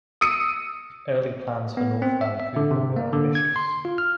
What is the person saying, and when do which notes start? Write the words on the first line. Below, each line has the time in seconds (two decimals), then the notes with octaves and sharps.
Early plans for North Vancouver were ambitious.
0.21 D#6 E6 C#7 D#7
1.77 B3
2.02 C4
2.21 E5
2.40 E5
2.56 D3
2.71 C3
2.96 A#3
3.13 D3
3.35 G#6
3.56 C6
3.85 F4
3.98 F6